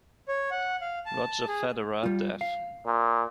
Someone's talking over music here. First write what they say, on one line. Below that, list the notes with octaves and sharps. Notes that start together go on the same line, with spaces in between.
Roger Federer def.
C#5
F#5
F5
A5
G#4
G3 F4
F5
A#2